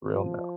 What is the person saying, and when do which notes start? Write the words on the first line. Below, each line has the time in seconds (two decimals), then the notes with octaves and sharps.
real, now.
0.14 F3